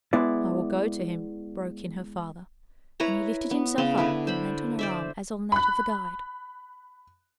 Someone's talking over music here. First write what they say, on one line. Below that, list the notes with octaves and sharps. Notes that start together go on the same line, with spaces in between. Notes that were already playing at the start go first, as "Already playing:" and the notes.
'I will go to him,' broke in her father; and he lifted himself up and leant on her arm as on that of a guide.
G#3 B3 E4 D5
E4 B4 C#5 A#5
B3
C#3 B3 C6
D3 E4 B4
C5 B5
C5 D5 E5
B5 F#6